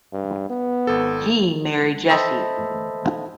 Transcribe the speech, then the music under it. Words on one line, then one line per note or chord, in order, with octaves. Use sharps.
He married Jessie.
G2
B3
G#1 A4
A4 C5 D#5 E5 A5 B5